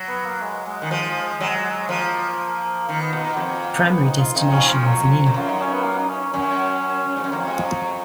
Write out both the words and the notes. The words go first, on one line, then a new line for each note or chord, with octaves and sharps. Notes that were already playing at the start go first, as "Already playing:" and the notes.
The primary destination was an inn.
Already playing: F#3
B3
A#3
G#3
G#3
D#3
F3 G#3
F#3
F3 A#3
D#3 A#3
B3
B2 A#3
F2
B3
D#4
F4
F2 D#4
C#4
F3
F#3
F2
F#2 F4
D#4
C#4
B3
A#3
D#4
C#4
F#2 C#4
G#2
F#2
F2 A#3
G#3
F#3
F#3